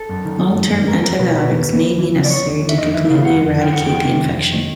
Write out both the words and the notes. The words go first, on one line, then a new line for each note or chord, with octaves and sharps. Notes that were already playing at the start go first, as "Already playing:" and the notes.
Long-term antibiotics may be necessary to completely eradicate the infection.
Already playing: A4
F#2
D#3
D#3
F#2
F#2
E2 A#4
E2 A#4
B2 B4
B2 B4
E2
E2
D#2
E3
C#3
D5
D#2 C#5
D#2
E3
E5
F2 D#5
E3 E5
E5
C#3 F5
F2 F#5
F2
E3 G5
F2 F#5
D#3 G5
C3
F2
F2
D#3